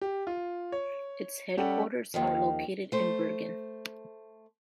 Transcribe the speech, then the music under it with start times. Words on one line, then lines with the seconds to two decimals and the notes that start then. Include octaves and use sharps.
Its headquarters are located in Bergen.
0.02 G4
0.27 F4
0.72 C#5
1.57 G3 C#4 G4 A4 F#5
2.14 D#2 D#3 F3
2.92 A3 C5